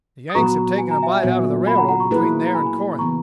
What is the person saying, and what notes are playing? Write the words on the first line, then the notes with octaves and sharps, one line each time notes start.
"The Yanks have taken a bite out of the railroad between there and Corinth."
D#6
A#2 F#3 B3 F#4 B4 A#5 C#6
G#5
A#5
E5 G#5
A#2 F#3 B3 F#4 C#5
G#5 B5
F#5 A#5
F#5 A#5
A#5 C#6
A#3 E4 G#4 B4
A#5
G#5 B5
C#3 E3 B3 A#5 C#6